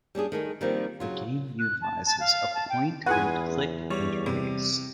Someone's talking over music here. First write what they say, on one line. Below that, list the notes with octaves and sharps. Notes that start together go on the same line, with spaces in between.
The game utilizes a point and click interface.
G3 C#4 D4 G#4
D#3 A3 G#4
D#3 F3 G3 A#3 C4
C#3 F#3 F4
F#6
A5
A5
F5
A5
G5
E2 F4 G#4 B4 F#5 G#5
G3 C#5
C3